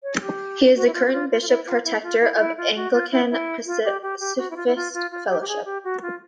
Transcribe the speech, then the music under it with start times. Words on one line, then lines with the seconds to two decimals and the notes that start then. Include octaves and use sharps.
He is the current Bishop Protector of the Anglican Pacifist Fellowship.
0.03 C#5
0.17 G#4
0.21 G4
0.76 F#4
0.86 E4
0.94 F4
1.07 F#4
1.12 F4
1.31 F4
1.42 F4
1.48 E4
1.67 F4
1.85 E4
2.03 F4
2.21 E4
2.34 F4
2.39 E4
2.58 F4
2.75 F#4
2.93 F4
3.12 E4
3.31 E4
3.66 F4
3.84 G4
4.02 G4
4.20 G4
4.38 F#4
4.50 E4
4.56 F4
4.67 E4
4.76 F4
4.94 F4
5.11 F4
5.29 G4
5.41 G4
5.48 G#4
5.65 G4
5.84 F#4
6.02 F4